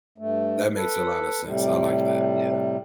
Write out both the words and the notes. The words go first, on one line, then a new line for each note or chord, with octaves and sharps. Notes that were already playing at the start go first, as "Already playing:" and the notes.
That makes a lot of sense, I like that, yeah.
G2 A3
A4 B4
A2 C3 G3